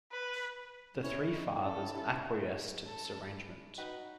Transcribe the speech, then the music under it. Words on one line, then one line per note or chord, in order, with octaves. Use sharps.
The three fathers acquiesce to this arrangement.
B4
C#4 E4 C#5
D#4
C#4 E4 A4
C#4 E4
A4
D#4 F#4 B4